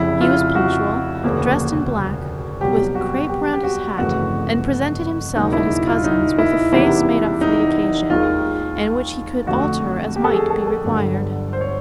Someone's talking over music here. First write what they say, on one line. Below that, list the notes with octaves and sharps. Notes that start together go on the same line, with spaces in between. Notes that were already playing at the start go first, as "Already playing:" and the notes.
He was punctual, dressed in black, with crape around his hat, and presented himself at his cousin's with a face made up for the occasion, and which he could alter as might be required.
Already playing: F1 F2 C#3 E4
F4
F#4
E1 D2 C#3 F3 A#3
C2 B2 F#3 B3 G4
F#4
G4
G4
F#4
G1 F2 C#3 E3 A3 F#4
E1 D#2 C#3 F#3 A#3 D#4
E4
F4
D#4
E4
E2 C3 D#3 G3 A#3 E4
D#4
D#2 D#3 G#3 F4
F2 D3 F3 A3 F#4
G4
A4
G#4
A4
A4
G1 G2 D3 F#3
C5
C#5